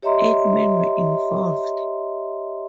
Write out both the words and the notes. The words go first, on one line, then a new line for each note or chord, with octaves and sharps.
Eight men were involved.
G4 C#5 D#5 E5 A#5 C6